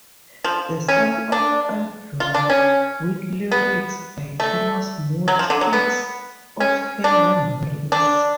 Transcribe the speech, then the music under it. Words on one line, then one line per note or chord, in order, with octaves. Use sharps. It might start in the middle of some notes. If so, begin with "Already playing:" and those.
'The Song of Albion', with lyrics by Thomas Moore speaks of her wanderings.
F3
C#4
D4
F4
D4
C#4
B3
A3
F#3
F3
D3
F#3
B3
C#4
D4
D4